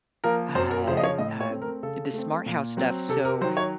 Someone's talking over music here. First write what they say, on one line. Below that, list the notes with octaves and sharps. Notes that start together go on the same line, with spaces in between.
uh, um, the smart house stuff, so
F3 A#3 A#4
F#2 C5
A#4
C#3 F3 C5
D#5
C#5
A2 D#5
C#5
A3 C4
A#4
C#3 A4
A3 C4
A#2
F#3 C4
C3 A4
A#4
D#3 F#3 C5
C#5